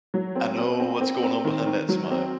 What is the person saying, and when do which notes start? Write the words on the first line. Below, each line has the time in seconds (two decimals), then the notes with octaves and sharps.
I know what's going on behind that smile.
0.14 F#3
0.35 C4
0.58 C4
0.80 C4
1.01 C4
1.23 C4
1.45 D#3
1.66 D#3
1.89 F#3
2.11 C4